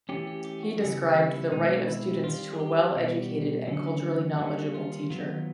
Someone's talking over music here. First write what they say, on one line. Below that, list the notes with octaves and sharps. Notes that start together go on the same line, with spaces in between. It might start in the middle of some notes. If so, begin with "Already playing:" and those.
He described the right of students to a well-educated and culturally knowledgeable teacher.
E3 A3 C#4 G4
G4
G4
F#4
C#3 E3 G3 B3 G#4
E4
B2 G#3 C4 D#4
E4
D#3 G3 C4 F4
G#4
G4
B2 G3 B3
D3 F#3 A#3 C#4
D#3 G3 A#3 C#4 F#4
F4
D#3 F#3 B3 F4